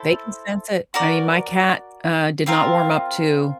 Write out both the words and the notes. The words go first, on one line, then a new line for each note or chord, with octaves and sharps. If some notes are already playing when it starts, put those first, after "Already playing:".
they can sense it. I mean my cat, uh, did not warm up to
Already playing: E4 A4 C5
F#4 A#4 D5
C4 F4 A#4